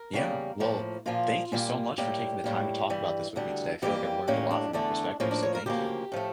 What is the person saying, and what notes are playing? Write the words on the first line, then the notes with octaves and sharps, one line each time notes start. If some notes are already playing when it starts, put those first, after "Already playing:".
Yeah. Well, thank you so much for taking the time to talk about this with me today, I feel like I've learned a lot from your perspective, so thank you.
Already playing: A#4
E2 C#3 G3 A#3
A2 F3 A#3
A#2 F3 A#3 F4
A#2 G3 A#3
A2 G3 A#3 G4
A2 G3 A#3
G2 E3 G3
D2 D3 G3
F2 E3 G3 A#3 G4
A2 G3 A#3 C#4
D4
E2 D3 A3 D4
A2 F3 A#3 C#4
D4
C#5
A#4
D2 C#3 F3 A#3 G4
A2 F3 A3